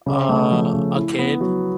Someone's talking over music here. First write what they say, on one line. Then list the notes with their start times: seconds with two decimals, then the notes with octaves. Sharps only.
Uh, a kid,
0.06 C#3
0.29 A3
0.51 F3
0.74 C#3
0.96 E4
1.19 B3
1.41 F#3